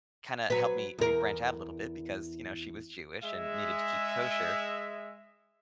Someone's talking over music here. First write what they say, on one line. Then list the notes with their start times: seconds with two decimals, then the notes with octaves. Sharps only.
kinda helped me me branch out a little bit because, you know, she was Jewish and needed to keep kosher.
0.50 F#3 B4
0.98 E2 A#4
3.24 G#3 E5